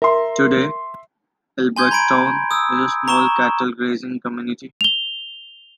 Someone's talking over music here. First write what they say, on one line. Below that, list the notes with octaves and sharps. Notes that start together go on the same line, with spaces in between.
Today, Alberton is a small cattle grazing community.
A#4 E5 C6
G#5 C6 G6 G#6
A#5 B5 G#6 D7
D#6 E6
A#5 C#6 E7 G7
F7 G7